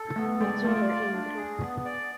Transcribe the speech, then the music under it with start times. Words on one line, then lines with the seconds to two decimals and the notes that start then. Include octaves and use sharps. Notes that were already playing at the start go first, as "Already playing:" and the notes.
The two were Engr.
Already playing: A4
0.16 A3 B3
0.40 G#3 D5
0.65 A3 F4
0.88 D5
1.13 D4
1.36 G#4
1.61 B3
1.85 D5